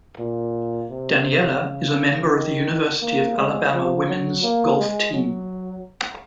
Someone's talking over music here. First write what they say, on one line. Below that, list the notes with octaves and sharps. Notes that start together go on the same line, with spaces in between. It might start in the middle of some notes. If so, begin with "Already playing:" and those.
Daniela is a member of the University of Alabama Women's Golf Team.
A#2
C3
C#3
D#3
A#3
G#3
F3
F#3
A#3
G#3
F#3